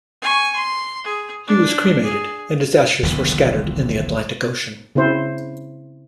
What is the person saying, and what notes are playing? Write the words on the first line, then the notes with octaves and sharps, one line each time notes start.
He was cremated, and his ashes were scattered in the Atlantic Ocean.
G#5 C#6
C6
G#4
D4
G#4
D#1 B1 D3 E3
C#3 C4 E4 C5